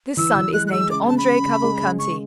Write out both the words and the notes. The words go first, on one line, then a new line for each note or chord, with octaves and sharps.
This son is named Andrea Cavalcanti.
E3 E6
E3
G#3 F#6
F#6
G#3 E6
C#3 D6
C#3 A5
B5
C#3
C#3
G#3
C#3
C#3 C#6